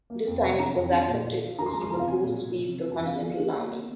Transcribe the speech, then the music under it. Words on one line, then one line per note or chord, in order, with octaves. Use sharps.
This time it was accepted, so he was forced to leave the continental army.
A#3
F2
C3
D#3 A#5
F2
D#3
A#2
A#2
F4
D#3 A#5
C6
G#3 A#5
C6
C3 A#5
F5
C4 G#5
A#2
A#2
C3
C3
C4
G#5
D#3 F5
F4
D#3
A#3
A#3